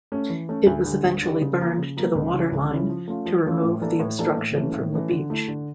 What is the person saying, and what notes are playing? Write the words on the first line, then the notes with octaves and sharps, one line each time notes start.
It was eventually burned to the waterline to remove the obstruction from the beach.
A3 C#4
E3
A3 C#4
D2
D3 G3
D2
D3 G3
C#3
F3 A#3
C#3
F3 A#3
C#2
C#3 F3 C#4 E4
C#2
C#3 F3 C#4 E4
F3
A3 C#4 F4
F3
A3 C#4 F4
A2
E3 A#3 D4 A4
A2
E3 A#3 D4 A4
A2
E3 A3 C#4
A2
E3 A3 C#4
D3
A3 E4
D3